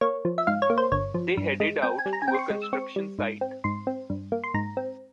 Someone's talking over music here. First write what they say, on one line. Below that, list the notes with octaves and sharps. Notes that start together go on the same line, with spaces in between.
They headed out to a construction site.
A#3 C#5
F3
E5
G#2 F5
C#5
A#3
C5
G1 C#5
F3
G2
G#3
C4 G5
G#5
G3
A#5
G#5
C4 G5
C6
C#6
G#3
E6
C4 C#6
G3
G#2
C4
G#2 C6
C4
G2
A#3
C6
G#2 A#5
C4